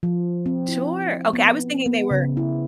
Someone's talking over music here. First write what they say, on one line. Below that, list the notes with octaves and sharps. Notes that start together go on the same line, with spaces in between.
Sure, okay, I was thinking they were
F3
C4
E4
B3
B3
C#3
E4